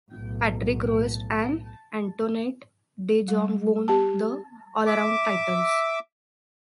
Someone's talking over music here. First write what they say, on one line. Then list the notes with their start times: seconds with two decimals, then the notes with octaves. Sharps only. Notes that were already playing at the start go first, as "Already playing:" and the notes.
Patrick Roest and Antoinette de Jong won the allround titles.
0.12 B1 A2
3.28 G3
3.88 G4 A5
4.86 E5 D6